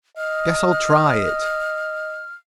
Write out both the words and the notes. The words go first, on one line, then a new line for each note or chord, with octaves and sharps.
"Guess I'll try it."
D#5 F6